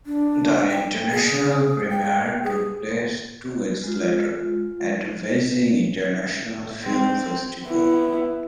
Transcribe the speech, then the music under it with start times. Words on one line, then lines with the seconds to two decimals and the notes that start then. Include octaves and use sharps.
The international premiere took place two weeks later at the Beijing International Film Festival.
0.06 D4
0.69 G5
1.11 G#4
1.90 G5
2.43 G#4
3.84 G#3 F4
6.85 C4
7.63 B3 E4